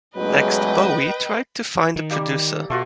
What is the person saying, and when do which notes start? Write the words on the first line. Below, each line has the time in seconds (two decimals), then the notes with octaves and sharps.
Next Bowie tried to find a producer.
0.17 A1 E2 F#3 G#3 B4 D#5 G5
1.96 D#3
2.10 G3 A#3
2.70 B2 A3 F4 F#4